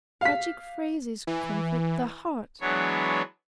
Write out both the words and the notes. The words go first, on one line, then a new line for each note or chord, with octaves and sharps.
Tragic phrases comfort the heart....
F5 B6
E3
E3 F#3 G#3 B3 D4 C#5